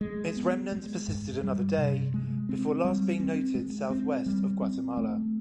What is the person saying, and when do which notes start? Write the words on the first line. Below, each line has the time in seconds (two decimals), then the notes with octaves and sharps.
Its remnants persisted another day before last being noted southwest of Guatemala.
0.01 G#3
0.37 B3
0.72 G#3
1.08 G2
1.43 G3
1.78 C3
2.14 G#3
2.49 C4
2.85 G3
3.20 C4
3.55 G#3
3.90 C4
4.26 G3
4.62 C4
4.97 A3